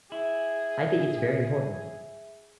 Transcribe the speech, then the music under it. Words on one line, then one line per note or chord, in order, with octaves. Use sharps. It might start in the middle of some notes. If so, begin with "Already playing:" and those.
I think it's very important.
E4 G#4